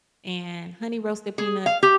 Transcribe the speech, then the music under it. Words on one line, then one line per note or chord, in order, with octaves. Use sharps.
and honey roasted peanuts.
G#4
F5
G4